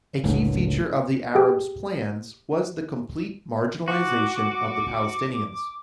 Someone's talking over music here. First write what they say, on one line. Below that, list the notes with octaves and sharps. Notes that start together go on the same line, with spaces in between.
A key feature of the Arabs' plans was the complete marginalization of the Palestinians...
F#1 C#2 A2 D3
G4 G#4 G5
F#4 D6